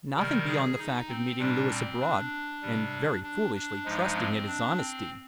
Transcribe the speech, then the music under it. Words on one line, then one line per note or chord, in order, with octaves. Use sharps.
"Nothing beyond the fact of meeting Lewis abroad, and very foolishly trusting in his honesty."
C3 D#3 G3 A#4
G#4
D#4
C4
A#2 G3 D4
C4
D4
C3 G3
D4
D4
G2 F3 G#3 D#4
C4
D4
C4